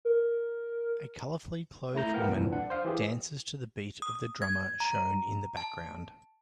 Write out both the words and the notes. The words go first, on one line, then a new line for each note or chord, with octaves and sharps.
A colorfully clothed woman dances to the beat of the drummer shown in the background.
A#4
A3 E4 A#5 G6
A#3 A#4 B4 F#5 G5
C2 F2 A#2 E3
D4 F#5
C5 F5
E3 G4 G#4
D#6
G#6
A#5
A5